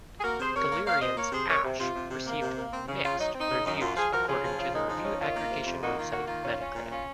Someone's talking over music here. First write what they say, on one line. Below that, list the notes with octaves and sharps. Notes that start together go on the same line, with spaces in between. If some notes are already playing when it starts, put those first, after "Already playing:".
"Galerians: Ash" received "mixed" reviews according to the review aggregation website Metacritic.
G#4
A#3 F#4 A#4
C3 G#4 C5
C3 A#4 C#5
A#3
A#3 C#5 F5
C3 C5 D#5
A#3 A#4 C#5
C3 G#4 C5
C3 A#4 C#5
C3
C3 F4
C3
C3
A#3
C3
A#3
C4
C#3
C#3 F4
F#3 D#4
C4
D#4
C#3
F#2 D#4
F#2 F4
F3 F4 G#4
F3 F#4 A#4
C#3 F4 G#4
F3
C#3 F4
G#3 D#4
F3 D#4
C#4
D#3 F4
A#3
C3
F2
A#3 D#4 F#4
D#3 F4
A#3 F#4
D#3 F4
C#4
C#4
A#2
C#4 F4